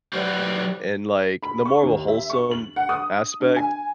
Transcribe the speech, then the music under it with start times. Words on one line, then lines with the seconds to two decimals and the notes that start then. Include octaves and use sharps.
and, like, in the more of a wholesome aspect.
0.13 F#3 G4 B4 C5 D5
1.43 B5
1.65 C#6
1.83 D#2
2.08 E5
2.30 C#6
2.51 F#7
2.76 F#5
2.89 D#6
3.40 D4
3.56 G#5